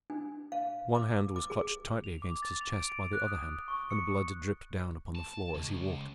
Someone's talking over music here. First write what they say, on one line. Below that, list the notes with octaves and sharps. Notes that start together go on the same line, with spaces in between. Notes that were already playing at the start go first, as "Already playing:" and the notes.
One hand was clutched tightly against his chest by the other hand, and blood dripped down upon the floor as he walked.
D4
F5
D6
D6
G#4
F7
D6
A6
F7
D7
D7
F#6
D#6
C#6
C#7
A5
C#2